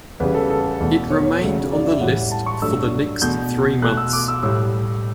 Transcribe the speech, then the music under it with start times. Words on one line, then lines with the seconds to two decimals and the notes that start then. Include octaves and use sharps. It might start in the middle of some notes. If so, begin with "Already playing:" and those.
It remained on the list for the next three months.
0.20 E2 C#3 G3 B4
0.35 A4
0.50 A4
0.80 E2 B2 A3
1.10 C#5
1.41 E2 C#3 F#3 A3
1.71 D5
1.86 E5
2.01 A2 E3 G3 F#5
2.31 A5
2.46 C#6
2.62 G2 F#3 A3 E6
3.22 E2 B2 A3 G6
3.82 B2 A3 F#6
3.97 E6
4.13 D6
4.28 E6
4.43 A2 G3 E6